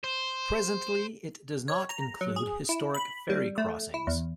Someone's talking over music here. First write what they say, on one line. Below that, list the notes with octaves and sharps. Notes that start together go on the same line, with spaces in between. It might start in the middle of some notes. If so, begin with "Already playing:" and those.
Presently it does not include historic ferry crossings.
C5
C#5
A#5
F#3
G#4
E4
B5
G3
A3
E4
E2